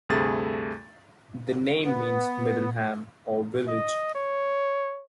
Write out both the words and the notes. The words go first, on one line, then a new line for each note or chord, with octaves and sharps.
The name means "middle "ham" or village".
D2 G2 C3 A3 G#4 A6
B3
D#5
C#5